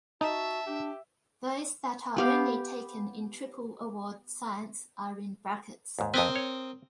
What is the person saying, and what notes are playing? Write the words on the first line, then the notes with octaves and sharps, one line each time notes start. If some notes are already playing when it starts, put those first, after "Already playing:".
Those that are only taken in Triple Award Science are in brackets.
D#4 F#4 E5 A5
D4 G4
B3 G4 F5
D#2 G#2
F2 B3 C4 A#4 B4 D#6
C#5